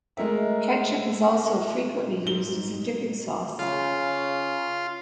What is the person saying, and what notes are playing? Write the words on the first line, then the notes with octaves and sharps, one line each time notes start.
Ketchup is also frequently used as a dipping sauce.
G#3 A3 A#4 E5
G#2 G7
C#3 F4